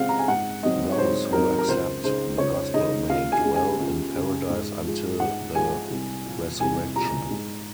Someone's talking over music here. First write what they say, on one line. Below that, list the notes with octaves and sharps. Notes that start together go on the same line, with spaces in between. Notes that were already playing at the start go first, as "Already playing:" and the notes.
Those who accept the gospel may dwell in paradise until the resurrection.
Already playing: F#2 C#3 G#3 C4 F5 F#5
A#5
G#5
G#2 F#5
F#3 C4 D#4 D#5
C#5
G#2 C5
F#3 C4 D#4 A#4
A#4
C#2 C5
C#3 G#3 D#4 C5
C#2 C#5
C#3 G#3 D#4 D#5
C#2 F5
G#5
C#3 G#3
G#5
C#2
C#3 G#3
G#2
F3 G#3
G#2 F#5
F3 G#3 G#5
C2
A#2 F3
C2 G#5
A#2 F3 A#5
G#2